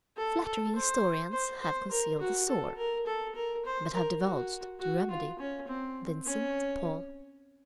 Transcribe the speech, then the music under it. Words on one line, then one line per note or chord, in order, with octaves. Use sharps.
Flattering historians have concealed the sore, but have divulged the remedy, Vincent de Paul.
A4
A4
C5
C5
C5
A#4
F#4
A4
A#4
A4
A#4
C5
A#4
F#4
F#4
F4
C#4
C4
C#4